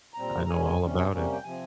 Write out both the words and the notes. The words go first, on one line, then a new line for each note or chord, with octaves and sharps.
I know all about it.
A#2 G3 C4 A#5
A#5
E2 E3 G#3 C#4 G#5
G#5
C3 G3 C#4
C3 G3 A#3 C#4
G5
C3 F3 C4 G#5